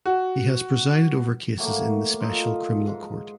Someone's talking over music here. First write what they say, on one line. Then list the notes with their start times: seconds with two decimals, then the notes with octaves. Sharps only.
He has presided over cases in the Special Criminal Court.
0.06 F#4
1.58 F#3 A3 A#3
2.20 F4 A4 D#5
2.87 G#2